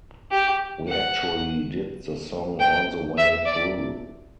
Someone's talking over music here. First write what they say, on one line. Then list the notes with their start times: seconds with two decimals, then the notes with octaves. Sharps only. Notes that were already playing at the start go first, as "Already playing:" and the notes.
We actually did the song all the way through.
0.31 G4
0.88 F#5
2.60 G5
3.17 E5
3.46 D5